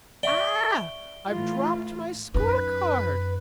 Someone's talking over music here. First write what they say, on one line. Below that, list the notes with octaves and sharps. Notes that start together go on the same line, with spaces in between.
"Ah--I have dropped my scorecard."
D5 E5 G5 C#6
A2 E3 F4
F#2 D#4 B4